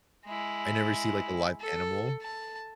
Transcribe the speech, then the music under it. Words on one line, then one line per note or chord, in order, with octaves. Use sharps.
I never see, like, a live animal.
G#3 E4
A4
A5